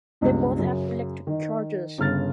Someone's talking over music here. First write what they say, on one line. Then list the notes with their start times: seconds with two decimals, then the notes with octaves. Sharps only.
They both have electric charges.
0.21 C#2 G2 B2
0.59 F#2 C#3
1.27 D#3
1.98 G1 C#3 F6 A6